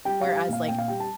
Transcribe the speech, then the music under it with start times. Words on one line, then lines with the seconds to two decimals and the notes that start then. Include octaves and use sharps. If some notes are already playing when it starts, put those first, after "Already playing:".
whereas, like,
0.05 G3 G5
0.21 F5
0.26 G3
0.37 F5
0.48 A#2 F5
0.68 A#2 G5
0.78 F5
0.88 G3 G5
1.00 A5